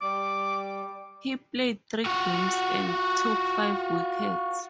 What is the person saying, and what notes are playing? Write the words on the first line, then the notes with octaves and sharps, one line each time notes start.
He played three games, and took five wickets.
G3 D6
F4 F#4